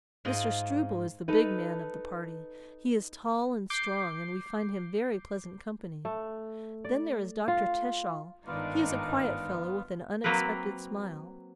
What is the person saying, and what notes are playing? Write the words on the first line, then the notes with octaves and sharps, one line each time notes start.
Mr. Struble is the big man of the party; he is tall and strong and we find him very pleasant company. Then there is Dr. Teschall; he is a quiet fellow with an unexpected smile.
G#2 F4 D#5
D#4 A4 B4
D6 G6 C7
A3
D5
F4
G1 G#2 D#3 B3 D4 D#4 F4 D5
F#3 A#3 C4 A#4 B4